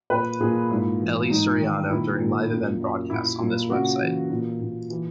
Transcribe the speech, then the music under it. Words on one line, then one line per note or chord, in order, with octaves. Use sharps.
Eli Soriano during live event broadcasts on this website.
A#2 B4
A#2 G#4
G#2 E4
E3
G#2 D#4
D#3
A#2 E4
A#2
F#2
F#2
A#2 E4
A#2
C#3 F#4
E3
A#2
A#2
E3